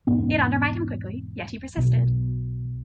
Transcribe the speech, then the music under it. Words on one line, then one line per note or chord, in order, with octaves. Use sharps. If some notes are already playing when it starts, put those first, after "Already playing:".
It undermined him quickly; yet he persisted.
E1 G#2 B3 C#4
B1 B2